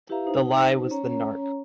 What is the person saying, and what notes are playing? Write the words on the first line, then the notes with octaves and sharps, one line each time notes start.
The Lie was the Nark.
E4 G4 B4 E5 F5 A#5
D#4 C5
C#4 C#5 A#5